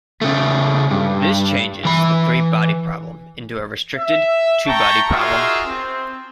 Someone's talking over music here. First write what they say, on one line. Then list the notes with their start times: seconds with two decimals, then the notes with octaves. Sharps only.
This changes the three-body problem into a restricted two-body problem.
0.22 C#3 A3
0.91 G2
1.85 E3 B5
3.96 E5
4.66 E5 G5 A5 A#5 C#6
5.08 D#4 F4 F#4 G#4 A#4 E5
5.65 C4